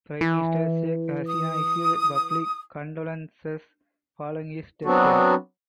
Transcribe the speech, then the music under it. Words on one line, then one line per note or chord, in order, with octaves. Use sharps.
Prime Minister Sheikh Hasina issued public condolences following his death.
E3
D#6
F#3 B3 C4 D4 F#4